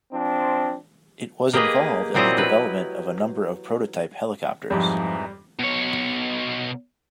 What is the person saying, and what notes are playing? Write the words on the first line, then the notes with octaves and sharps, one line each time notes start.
It was involved in the development of a number of prototype helicopters.
F3 C4 D4
A#3 G4 G#4 B4 D#5
A#2 F#3 C4 E4 G4 D#5
B4
F2 G#2 E3 F3 G3 D#4
B2 C#5